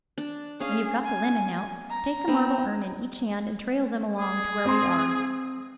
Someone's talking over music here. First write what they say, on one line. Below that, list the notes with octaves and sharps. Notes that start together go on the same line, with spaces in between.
When you've got the linen out, take a marble urn in each hand and trail them along to where we are.
D4
C#4 G#4 F5
G#5
A#5
B3 C4
G#4
C4 C6